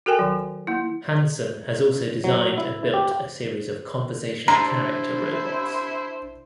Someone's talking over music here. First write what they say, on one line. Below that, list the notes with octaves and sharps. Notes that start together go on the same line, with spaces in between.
Hanson has also designed and built a series of Conversational Character Robots.
F#4 A4 A#4 G5 G#5
D#3 F#3
A#3 E4
F#3
E4
G4
D4 E4 C5 D5 A#5 C6